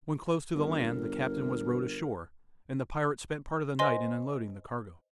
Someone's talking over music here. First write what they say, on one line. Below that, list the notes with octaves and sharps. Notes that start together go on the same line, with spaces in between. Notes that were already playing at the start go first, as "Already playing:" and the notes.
When close to the land the captain was rowed ashore, and the pirates spent part of the night in unloading the cargo.
G1 A#4
B4 C5 D#5 G#5 C6